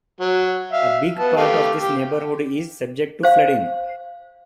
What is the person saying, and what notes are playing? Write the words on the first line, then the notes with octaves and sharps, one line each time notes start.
A big part of this neighborhood is subject to flooding.
F#3
E5 F5
B3 A5
A3 G4 F5
G4
C5 F5